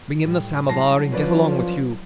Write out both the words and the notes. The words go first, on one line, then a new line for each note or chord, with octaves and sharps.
Bring in the samovar, and get along with you.
A2 G3
F#3 G#3 E4 A5 A#6 C7
F3 C#4 B4 D5